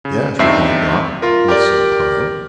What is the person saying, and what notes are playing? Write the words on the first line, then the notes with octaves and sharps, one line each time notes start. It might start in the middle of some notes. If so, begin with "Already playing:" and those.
"Yes," replied Dot, with some pride.
C#3
E2 G2 C4 D#4 E5 C7
F4 A#4
G4 A#4 D5